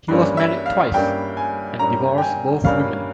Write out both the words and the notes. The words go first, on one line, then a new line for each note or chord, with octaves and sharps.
He was married twice and divorced both women.
G2 G3 A#3 C#4
E5
F5
G2 G3 A#3 C#4 G5
G#5
G2 G3 A#3 C#4 A#5
G5
G#5
G2 G3 A#3 C#4 F5